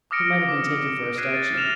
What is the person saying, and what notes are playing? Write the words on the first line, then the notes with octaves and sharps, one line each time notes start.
He might have been taken for a statue.
D6 D#6 F6 A#6 C#7 D7
D6
F#6 G#6 B6 C7 D7 D#7
A6
F6 A#6 C7 E7 F7